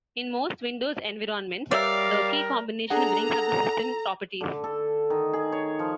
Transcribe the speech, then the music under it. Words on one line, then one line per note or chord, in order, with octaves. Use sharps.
In most Windows environments, the key combination brings up the system properties.
G3 A#4 C#5 D5 E5 F5 E6
D4 G#4 A4 F#5 A#5
D3
A4
D#3
G#4
C#5
F3